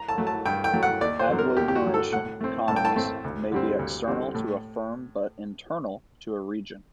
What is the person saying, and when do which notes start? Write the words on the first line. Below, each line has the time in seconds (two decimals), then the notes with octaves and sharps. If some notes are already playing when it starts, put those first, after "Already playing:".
Agglomeration economies may be external to a firm but internal to a region.
Already playing: A#5
0.09 A5
0.18 F#3 A3
0.27 A5
0.46 G2 G5
0.64 G5
0.73 F#3 A3
0.83 F#5
1.01 D#2 D5
1.19 C5
1.29 D3 F#3
1.38 A#4
1.57 D#2 G4
1.68 G4
1.75 F#4
1.85 D3 F#3
1.94 A4
2.12 A2 F#5
2.41 A3 C4
2.68 A2 A5
2.76 G5
2.85 A5
2.96 A3 C4
3.24 D2
3.52 D3 G3 C4
3.79 D2
4.07 D3 G3 C4
4.35 A2